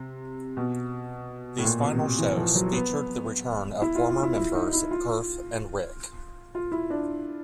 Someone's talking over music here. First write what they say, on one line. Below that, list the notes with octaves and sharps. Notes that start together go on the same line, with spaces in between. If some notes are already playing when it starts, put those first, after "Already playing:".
These final shows featured the return of former members Kurf and Rick.
Already playing: C3
B2
A2
A#2
B2
C3
E3
F3
F#3
B3
E4
F4
F4
E4
E4
D#4
E4
F4
F4
E4
D4